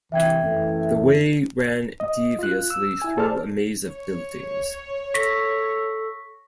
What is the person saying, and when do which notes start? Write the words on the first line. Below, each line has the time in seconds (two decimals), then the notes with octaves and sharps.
The way ran deviously through a maze of buildings.
0.12 C2 E3 E5 G5 G#6
0.42 F#2 E3 A3
2.00 D#5
2.39 F4 F#6
2.70 E6
3.02 E4 G#5
3.17 G#4 A4 C5 D5 A5 F6
3.85 C#5
5.14 A4 C#6 A#6 B6